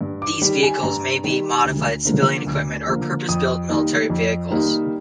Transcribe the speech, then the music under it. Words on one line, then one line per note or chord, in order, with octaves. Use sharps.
These vehicles may be modified civilian equipment or purpose-built military vehicles.
G2
D6
D#3 G3
G#5
G2 A#5
D#3 G3
D2
D3 F3 A#3
D2
D3 F3 A#3
F2 D#6
D#3 G3 A#3 D#4
F2
D#3 G3 A#3 D#4